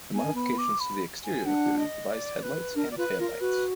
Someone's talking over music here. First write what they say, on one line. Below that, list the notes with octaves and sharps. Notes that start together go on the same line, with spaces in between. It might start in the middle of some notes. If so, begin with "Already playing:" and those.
The modifications to the exterior included revised headlights and taillights.
B3 G#5
D4
B3 B5
D6
B5
G#5
D4 F#5
D#5
D5
B4
D4 A#4
D5
F4 B4
F4 A#4
F#4 B4